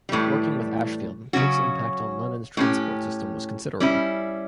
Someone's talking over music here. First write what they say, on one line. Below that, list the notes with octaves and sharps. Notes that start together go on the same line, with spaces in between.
Working with Ashfield, Pick's impact on London's transport system was considerable.
A2 E3 G3
C#3 F#3 C#4 F#4
A2 G3 C#4 G4
G3 C#4 E4